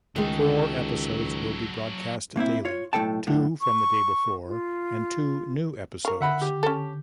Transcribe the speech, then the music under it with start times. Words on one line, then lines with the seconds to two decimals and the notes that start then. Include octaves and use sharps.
Four episodes will be broadcast daily-two from the day before and two new episodes.
0.16 C#2 D#3 F#3 G#3 A4
2.36 A2 A#3 C4 E4
2.65 F4 C#5
2.93 B1 A2 A3 A4 G5 A5
3.27 F#2 A2 D3
3.61 C#6
4.47 F4
6.05 A#4 F5 C#6
6.21 D3 E5 F#5 B5
6.41 G4
6.63 C#4 A4